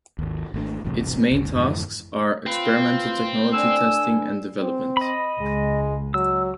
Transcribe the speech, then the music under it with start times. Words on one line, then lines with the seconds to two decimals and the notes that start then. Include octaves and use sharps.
Its main tasks are experimental technology testing and development.
0.19 G#1 D#2
0.54 G#1 A3 D4
0.85 E1 A1 G2 C3
1.32 G1 D2
1.55 F2 G#2 D3 E3
2.46 C4 F4 B4
3.53 D3 G#5 E6
4.61 C4
4.97 D#5 B5
5.41 C#2 G#3
6.14 F#3 E6